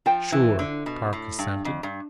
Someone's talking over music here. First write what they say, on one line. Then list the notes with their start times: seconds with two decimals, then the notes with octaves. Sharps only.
"Sure," Park assented.
0.06 F3 F4 C5 G5
0.32 E3
0.59 D3
0.86 B2
1.13 A2
1.39 G2
1.65 F2
1.83 G2